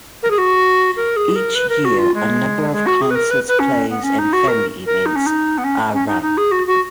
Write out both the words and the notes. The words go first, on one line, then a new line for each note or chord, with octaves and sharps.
Each year a number of concerts, plays and family events are run.
A#4
G#4
F#4
A#4
G#4
A#4
B4
A#4
F#4
F4
G#3
G#3
F#4
G#4
B4
A#4
B4
B4
C#4
B3
C#4
D#4
F#4
A#4
A#4
D#4
C#4
D#4
B3
C#4
C#4
D#4
D#4
G#4
F#4
F#4